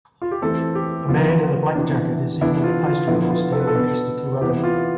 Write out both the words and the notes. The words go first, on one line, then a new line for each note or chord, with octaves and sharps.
A man in a black jacket is eating a pastry while standing next to two other men.
F4
G4
E3 A3 C4 A4
G4
C3 F3 B3 D4 F4
C3 E3 B3 D4
E3 B3 D4 E4
F4
F4
D3 F3 B3 E4
F4
A4
B4
A4
B2 B3 D4
C3 E3 B3 G4
F4